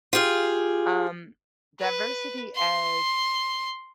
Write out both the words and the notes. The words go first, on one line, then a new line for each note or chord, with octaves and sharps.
um, diversity adds
F4 G4 G#4 F5
B4
C6